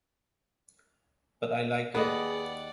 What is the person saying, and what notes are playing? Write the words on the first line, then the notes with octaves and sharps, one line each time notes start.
But I Like It.
D#2 B3 G#4 D5 D#5 F#5